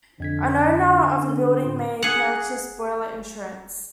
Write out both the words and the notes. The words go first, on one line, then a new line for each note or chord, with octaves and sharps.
An owner of a building may purchase boiler insurance.
F2 D3 G#6 B6
B3 C#4 A#4
A2 F4
G#4 F#5